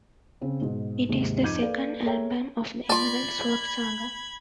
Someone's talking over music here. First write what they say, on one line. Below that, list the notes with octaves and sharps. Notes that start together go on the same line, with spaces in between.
It is the second album of the Emerald Sword Saga.
C#3 C4
G#2 B2
D#2 G#2 C3
F2 D#4 D6 G6 G#6 D#7
A#3 A4 B4 D5 F5
G#4 A4 C#5 E5 G5 A#5
F4 D5 A5 B5 G#6